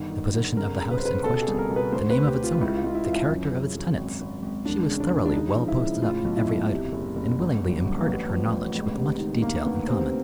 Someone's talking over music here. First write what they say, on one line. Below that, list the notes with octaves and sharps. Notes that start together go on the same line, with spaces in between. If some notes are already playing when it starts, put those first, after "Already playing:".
The position of the house in question; the name of its owner; the character of its tenants; she was thoroughly well posted up in every item, and willingly imparted her knowledge with much detail and comment.
Already playing: G1 D#3
D#3
G1
C#3 A#4
C#3
B4
C5
C#3 B4
B2 A4
A4
G#4
C2
A#4
B2
B4
D2 C5
B4
D2
G4
C3
F4
C#2 E4
F4
E4
C#2 F4
E4
E3 F4
E4
F#2
C#3
F#2
G#1
G#1
G#1
E1 D4
C#3
D4
E1
D4
C#3 D#4
F3
E4
C#3
A2 F4
B1
E4
B1
C3
F#1
F#1
G1
F#2
G1
A#3
A1 B3
F3
A1
C#2
C3
D#3
D2 A#3
D2 B3
C3 C4